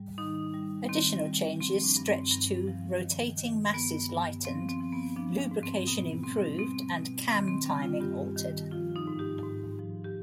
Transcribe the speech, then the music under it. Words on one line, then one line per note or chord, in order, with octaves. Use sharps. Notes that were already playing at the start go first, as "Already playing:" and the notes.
Additional changes stretch to "rotating masses lightened, lubrication improved and cam timing altered".
Already playing: G#2 G3
D#3 D#4
G3
D#3 C4
G3
F3 C4
D4
G2
C4
G2
F3
D#3
D#3
G2 B3
G2
F3 C4
C4
F3
B3
F3 D4
D4
G#2
C4
B2 B3
G3 C4
B2 C4
B2
D#3 C4
C4
G3 D4
F4
G2 G4
D#3
F3 F4
D#4
G#2
G4
G#2
F3
G4